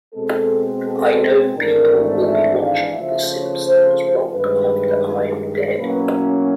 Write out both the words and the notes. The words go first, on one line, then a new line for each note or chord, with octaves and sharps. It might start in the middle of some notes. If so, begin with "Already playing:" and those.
I know people will be watching "The Simpsons" long after I'm dead.
B2 G#3 C4 A4
A4
G#1 G#2 E3 A3 D4 A#4
E5
F5
C#3 F3 A3 E5
C#5
C5
G2 D#3 G#3 B4
B2 F#3 A#3 C#4 E4 B4